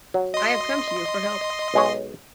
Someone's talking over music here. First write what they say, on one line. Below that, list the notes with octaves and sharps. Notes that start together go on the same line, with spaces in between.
I have come to you for help.
F#3
D#5 C6
B1 G#3 C#5